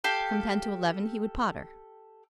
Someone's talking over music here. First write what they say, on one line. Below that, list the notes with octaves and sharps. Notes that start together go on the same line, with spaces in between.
From ten to eleven he would potter.
G4 A4 F5